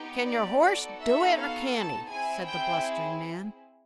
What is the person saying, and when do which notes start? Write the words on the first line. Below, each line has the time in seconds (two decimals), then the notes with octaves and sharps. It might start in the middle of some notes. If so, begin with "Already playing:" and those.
"Can your horse do it, or can't he?" said the blustering man.
Already playing: B3 D#4 G4
0.25 D5
0.62 B3 D#4 F#4 A4 D5
0.99 E5
1.36 F5
1.73 A5
2.09 C4 E4 G#4 G#5
2.46 G5